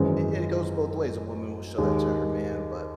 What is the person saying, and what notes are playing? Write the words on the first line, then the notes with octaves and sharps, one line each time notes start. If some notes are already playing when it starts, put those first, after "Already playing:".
i i it goes both ways, a woman will show that to her man, but,
Already playing: G#1 F#2 E3 G#3
D#2 D#3 G#3